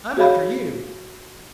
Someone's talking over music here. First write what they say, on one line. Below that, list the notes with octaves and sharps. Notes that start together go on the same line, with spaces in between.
"I'm after you."
F#4 G#4 C#5 F5 B5